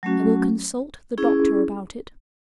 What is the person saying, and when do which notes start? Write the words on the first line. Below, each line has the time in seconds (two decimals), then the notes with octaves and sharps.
I will consult the doctor about it.
0.03 F#3 A3 C#4 F#4
1.18 C#4 E4 G#4